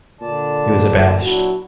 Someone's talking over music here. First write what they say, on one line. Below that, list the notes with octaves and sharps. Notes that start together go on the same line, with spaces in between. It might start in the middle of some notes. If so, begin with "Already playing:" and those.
He was abashed.
A#2 D3 D5 A5
F#3 D4 E4 F#4